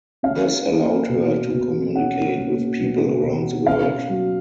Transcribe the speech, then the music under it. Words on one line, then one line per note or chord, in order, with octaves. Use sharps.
This allowed her to communicate with people around the world.
C#4 F5
A#3
B2
B2
C#4 F#5
A#3
B2
B2
C#4 F5
F#3